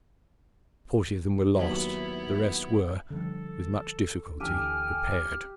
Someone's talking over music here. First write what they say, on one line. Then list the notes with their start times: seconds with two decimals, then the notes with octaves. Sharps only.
Forty of them were lost, the rest were, with much difficulty, repaired.
1.56 D#2 F#3 B3 E4
3.10 D3 F3 G3 A4
4.40 D2 E3 D4 G4 A4 G5 G#5 F6